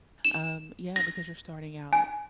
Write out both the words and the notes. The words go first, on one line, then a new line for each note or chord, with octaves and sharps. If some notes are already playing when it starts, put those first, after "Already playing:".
Um, yeah, because you're starting out
E7
A#6
G#5